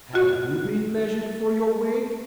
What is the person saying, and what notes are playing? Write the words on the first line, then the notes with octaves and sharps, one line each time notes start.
"Have you been measured for your wig?"
F4 F#4